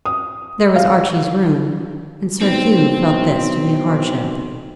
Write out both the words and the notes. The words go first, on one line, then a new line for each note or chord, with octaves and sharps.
But there was Archie's room, and Sir Hugh felt this to be a hardship.
D#6
F5
B1 C4